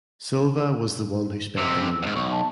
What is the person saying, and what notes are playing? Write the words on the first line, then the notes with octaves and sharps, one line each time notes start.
Silva was the one who spent the money.
F2 C3 E6
D2 G#2
B1 C#6
A5